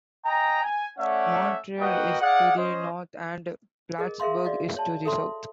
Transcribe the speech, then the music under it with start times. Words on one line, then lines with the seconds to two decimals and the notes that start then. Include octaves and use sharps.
Montreal is to the north, and Plattsburgh is to the south.
0.26 D#5 G5 G#5 A#5
0.63 G#5
0.98 A3 C#4 D5 E5 F#5
1.79 A#3 F#4 B4 D#5 F#5 G5
2.20 G#4 D5 F5 F#5
2.57 C#4 C5 D#5
3.98 G#4 A#4 D#5
4.20 G#4 A#4 E5 F5 C6
4.45 F#4 D5 D#5 F5
4.76 C#5 A5
5.05 A4 E5 C6